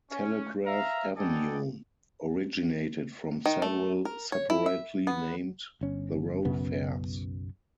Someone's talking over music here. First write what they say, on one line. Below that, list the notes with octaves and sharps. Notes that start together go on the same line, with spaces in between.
Telegraph Avenue originated from several separately named thoroughfares.
C#4
E5 F5 A#5
B3 A4 D5 D#5 G5 G#5
D#3
A3
A#4
C#5
E4
E5
B3
G1 C#4
B1 F#2 C#3 B3